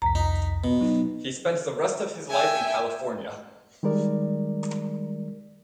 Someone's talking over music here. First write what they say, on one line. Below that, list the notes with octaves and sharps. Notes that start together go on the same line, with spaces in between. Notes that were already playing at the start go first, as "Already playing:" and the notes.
He spent the rest of his life in California.
C2 F2 A#5 B6
D#4
B2
F#3 D#4
E5 G5 G#5
D#3 G3 G#3 A#4 D5